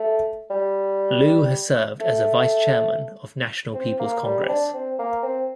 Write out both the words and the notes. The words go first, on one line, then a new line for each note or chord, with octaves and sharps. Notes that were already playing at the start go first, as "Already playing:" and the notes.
Lu has served as a Vice-chairman of National People's Congress.
Already playing: A3
G3
A3
C4
A#3
G3
C4
D4
C4
A#3
C4